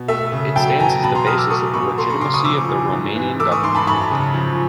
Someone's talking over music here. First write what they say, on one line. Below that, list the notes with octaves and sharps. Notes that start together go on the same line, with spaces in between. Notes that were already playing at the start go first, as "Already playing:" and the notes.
It stands as the basis of the legitimacy of the Romanian government.
Already playing: B2
A3 E5
C#3
F#3 G5 A5
E2 G#5 A#5
B2 A5 B5
A#5 C6
F#3 D#6 F6
D6 E6
A3 C#6 D#6
B2 B5 C#6
A3 A#5 C6
B5 C#6
C#3 C6 D6
C#6 D#6
F3 D6 E6
E2
G#2
E3
A3 D6 E6
C#6 D#6
G#2 C6 D6
A5 B5
F#2 B5 C#6
C#3
F3